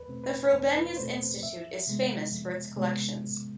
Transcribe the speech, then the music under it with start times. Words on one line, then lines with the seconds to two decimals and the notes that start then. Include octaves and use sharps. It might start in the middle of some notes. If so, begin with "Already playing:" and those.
The Frobenius Institute is famous for its collections.
Already playing: E2 B4
0.08 B2 A3 C4
0.24 B4
0.52 E2 C5
0.76 B4
0.97 B2 A3 C4 C5
1.42 F2 E5
1.87 C3 G#3 B3
2.32 F2
2.77 C3 G#3 B3